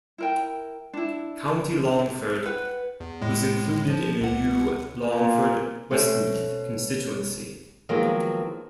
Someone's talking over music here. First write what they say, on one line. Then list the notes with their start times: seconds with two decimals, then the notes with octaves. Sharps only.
County Longford was included in a new Longford-Westmeath constituency.
0.18 E4 A#4 G5
0.93 D4 E4
2.46 B4 F#5
3.00 E2
3.21 A2 G#3
3.90 F3
4.21 C#2 F#5
5.09 A#2
5.91 B2 A3 C4 C#4
7.89 D#3 F3 F#3 G#3 A#3 B3